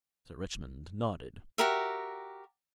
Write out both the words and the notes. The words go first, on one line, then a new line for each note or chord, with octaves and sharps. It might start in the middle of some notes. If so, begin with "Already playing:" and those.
Sir Richmond nodded.
F#4 G4 A#4 E5